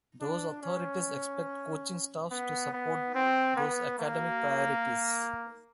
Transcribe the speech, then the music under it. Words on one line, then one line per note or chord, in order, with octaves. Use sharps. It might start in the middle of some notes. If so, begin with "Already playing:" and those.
Those authorities expect coaching staffs to support those academic priorities.
D4
C#4
B3
B3
C4
B3
A#3